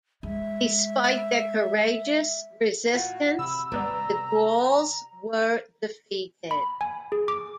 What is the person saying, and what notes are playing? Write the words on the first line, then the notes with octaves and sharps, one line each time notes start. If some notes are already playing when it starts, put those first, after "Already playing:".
Despite their courageous resistance, the Gauls were defeated.
G#3 E5
A2 F4 F#4
C3 B5 E6
G#1 G3 B3 D5 A#5
B5
G#5
G#4
D6